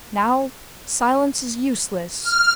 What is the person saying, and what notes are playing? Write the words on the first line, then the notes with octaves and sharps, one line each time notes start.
Now silence is useless.
F6